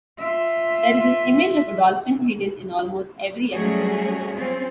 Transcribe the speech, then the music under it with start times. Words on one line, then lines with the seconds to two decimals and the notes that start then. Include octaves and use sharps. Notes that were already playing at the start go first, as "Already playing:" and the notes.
There is an image of a dolphin hidden in almost every episode.
0.19 F4 E5
3.52 F#3 G3 A3 C#4 F#4 G#4
4.35 C4 C#4 F4